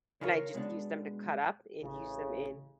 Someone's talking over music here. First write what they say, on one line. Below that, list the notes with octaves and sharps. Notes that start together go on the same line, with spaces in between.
and I just use them to cut up, and use them in
C#3 F4 A#4 C#5
B2 G#3 B3 D4
A1 C#3